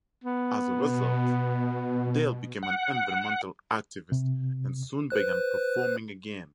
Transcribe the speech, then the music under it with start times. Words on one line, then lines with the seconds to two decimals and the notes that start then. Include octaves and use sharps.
As a result, Dale became an environmental activist and soon began performing again.
0.24 B3
0.71 B2
2.63 F#5
4.12 C3
5.10 B4 C5 F#6